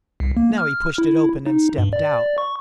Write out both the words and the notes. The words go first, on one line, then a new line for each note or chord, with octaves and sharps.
Now he pushed it open and stepped out.
C2
A#3
F6
E4
D#4
G2
D5
C#6